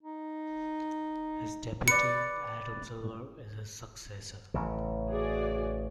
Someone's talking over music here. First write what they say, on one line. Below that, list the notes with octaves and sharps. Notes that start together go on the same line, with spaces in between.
His deputy, Adam Silver, is his successor.
D#4
B4 D5 C#7
A1 C#3
F#4 G#4 D5